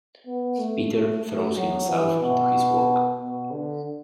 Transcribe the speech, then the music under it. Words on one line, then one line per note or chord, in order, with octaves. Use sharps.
Peter throws himself into his work.
B3
A3
A3
A3
F#3
E3
B2
B2
D3